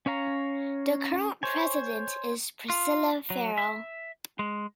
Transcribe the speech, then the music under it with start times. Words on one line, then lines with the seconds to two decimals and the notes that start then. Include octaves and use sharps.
The current president is Priscilla Feral.
0.06 C#4 C#5 F5 A#5
1.43 C5 C#5 G#5
2.70 F4
3.30 F#3
3.58 E5
4.39 G#3